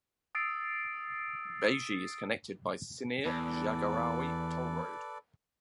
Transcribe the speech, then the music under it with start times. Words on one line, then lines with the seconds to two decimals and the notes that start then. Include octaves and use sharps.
Beji is connected by Cinere–Jagorawi Toll Road.
0.35 D#6 E6 A6 C7 D7
3.25 E2 A4 B4 D5